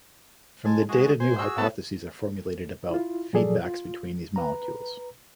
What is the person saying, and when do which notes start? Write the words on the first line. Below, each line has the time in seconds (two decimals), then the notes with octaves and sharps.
From the data new hypotheses are formulated about feedbacks between these molecules.
0.65 G#3 G#5 A5
0.89 G#3 F#4 G#4
1.20 C5 G#5
1.38 F#4 G#4 E6
1.58 B3 A4 A5
2.90 E4 F4
3.33 A#2 F3 F#3 G#4 A4 D5
3.65 F4
4.36 B4 A#5